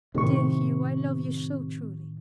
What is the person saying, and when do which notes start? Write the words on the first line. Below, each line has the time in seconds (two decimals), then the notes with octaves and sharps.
"Dear Hugh, I love you so truly!"
0.15 A2 C3 D#3 C#6